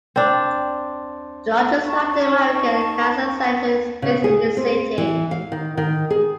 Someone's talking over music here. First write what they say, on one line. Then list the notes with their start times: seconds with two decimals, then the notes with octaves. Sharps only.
The largest Latin American cancer center is based in this city.
0.16 C4 D4
1.83 D#4 A5 C#6
4.02 C#3
4.24 G#4
4.57 C4
4.98 E3
5.31 F5
5.52 D#3
5.77 D#3
6.10 G#4